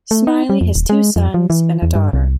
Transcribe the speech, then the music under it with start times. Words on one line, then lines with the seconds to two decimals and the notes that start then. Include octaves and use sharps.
Smiley has two sons and a daughter.
0.11 A3
0.27 D#4
0.50 G3
0.61 F2
0.75 D#1
0.89 G#3
1.16 F2
1.34 F3
1.50 E3
1.82 E2
1.95 G2
2.13 C2